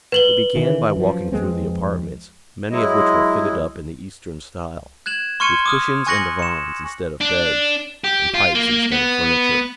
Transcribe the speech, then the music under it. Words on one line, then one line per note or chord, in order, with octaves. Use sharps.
They began by walking through the apartments, many of which were fitted up in the Eastern style, with cushions and divans instead of beds, and pipes instead of furniture.
B4 F#7 G7
D#3 E3
F#2 F3
F2 G#3 C4
F#3 G#3 E4 D#5
F#6 G#6 E7 F#7
C6 C#6 F6 G#6 C#7 D#7
D6 D#6 F6
G#5 C#6 F#6 A#6 C#7 F#7
C#7 E7
D4
G4
F4
A#3
B3